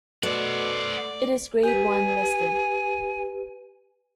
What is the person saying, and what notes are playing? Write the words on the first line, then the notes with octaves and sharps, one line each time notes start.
It is Grade One listed.
B2 A3 C5 D5 F#5
G4 B4 G#5